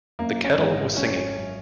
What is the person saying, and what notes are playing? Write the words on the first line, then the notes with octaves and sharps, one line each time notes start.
The kettle was singing.
F#2 A#3
C#4
G#1
D#4
G#1 C#4
F#2